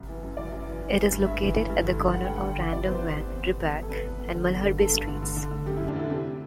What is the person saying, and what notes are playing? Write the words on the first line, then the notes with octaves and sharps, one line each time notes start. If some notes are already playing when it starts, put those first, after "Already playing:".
It is located at the corner of Random van Riebeck and Malharbe streets.
Already playing: C2 F#2
E3
F#2
E3 D5
F#2
E3
E3
E3
G2
G2 E5
E3
E3
G2
D3
G2
D3 F#5
G5
G2
F#5
D3
E3
C3 D5
B4
E2 C5
C3
C3
E2
C3
E2
E2
A4
C3 B4
E2
E2
D3
D3
G2
D3 A4
G2
D3
D3
D3
D3
F#2 G4
E4
F#2
D4
D3 E4
C3 G4